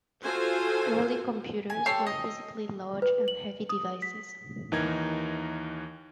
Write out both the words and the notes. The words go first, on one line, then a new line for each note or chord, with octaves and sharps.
Early computers were physically large and heavy devices.
F4 F#4 A4 C5 G#5
G#5
G4 A4 C#5 C6
D#5
B4
F#7
D#6
B6
D#2 E3 D#4 A#4 A#5 G#6